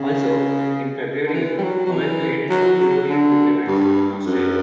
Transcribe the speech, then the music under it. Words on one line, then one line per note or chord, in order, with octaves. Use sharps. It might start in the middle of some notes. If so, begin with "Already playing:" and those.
Also, in February Howell played in two European Tour events in Australia.
Already playing: C#3
D3
E3
G3
F#3
F#3
E3
F#3
F#3
D3
G2
F#2